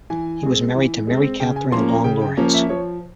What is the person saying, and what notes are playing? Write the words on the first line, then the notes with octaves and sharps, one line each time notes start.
He was married to Mary Kathryn Long Lawrence.
E3 G#5
G#3 C4
E3
G#3 C4
C#3 G5
G#5
F3 A#3 C#4 C6
A#5
C#3 G5
G5
F3 A#3 C#4
E5
F3 C#5